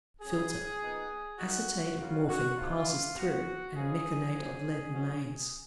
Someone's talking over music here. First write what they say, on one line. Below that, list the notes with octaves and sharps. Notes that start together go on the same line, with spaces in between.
Filter. Acetate of morphine passes through, and meconate of lead remains.
G#2 F#3 C#4 G#4
A#2 F3 B3 D#4
F3 A#3 D#4 F#4
C#3 F#3 A#3 F4 F#4
F#4
F3 G#3 D#4 F4
F3 B3 F4 F#4
C#3 F3 G#3 G#4
F#2 F3 B3
G#2 F#3 C#4